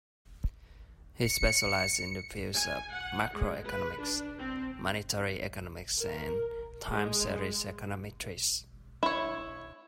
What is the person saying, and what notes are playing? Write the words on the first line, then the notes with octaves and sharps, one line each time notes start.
He specializes in the fields of macroeconomics, monetary economics and time series econometrics.
C#7
G#5
F#5
G#3
B4
D4
C4
A#4
G#3
E4 C#5